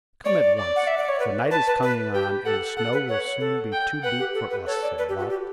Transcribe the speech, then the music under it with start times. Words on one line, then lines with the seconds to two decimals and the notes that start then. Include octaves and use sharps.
Come at once, for night is coming on, and the snow will soon be too deep for us,' said Blot.
0.24 C#5 D5
0.57 D5
0.76 F#5
0.87 E5
0.97 D5
1.08 C#5
1.20 B4
1.51 B4 A5
1.67 B4
1.82 B4
2.14 G4 G5
2.45 A4 F#5
2.77 A4 F#5
2.93 B4
3.08 C#5 F#5
3.40 A4
3.72 G5
4.03 B4 F#5
4.19 G4
4.34 A4
4.51 B4
4.66 A4 C#5
4.82 D5
4.98 B4
5.09 G4
5.19 F#4
5.30 G4